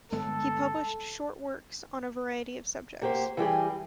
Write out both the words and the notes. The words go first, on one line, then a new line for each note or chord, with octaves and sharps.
He published short works on a variety of subjects.
G1 G#3 B3 A4
A#3 F#4 G4 B4 C5
E3 G3 G4 G#4